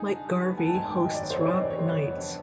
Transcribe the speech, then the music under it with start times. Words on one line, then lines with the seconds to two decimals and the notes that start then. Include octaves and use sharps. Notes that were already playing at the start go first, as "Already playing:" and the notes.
Mike Garvey hosts Rock Nights.
Already playing: D#4 G#4 G#5
0.09 D3
0.25 G3
0.42 B3
0.57 A3 G#5
0.66 A5
0.74 G#2 G#5
0.89 D#3 G5
1.06 F#3 D#5
1.14 D5
1.22 B3 C#5
1.30 C5
1.37 C3 C#5
1.46 D5
1.54 E3 D#5
1.62 D5
1.70 G3 C#5
1.79 C5
1.86 B3 C#5
2.03 F2
2.18 D3